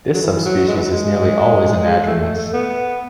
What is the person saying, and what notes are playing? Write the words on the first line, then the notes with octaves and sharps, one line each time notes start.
This subspecies is nearly always anadromous.
F#3
E3
F#3
G#3
E3
F#3
G#3
A3
A3
A3
B3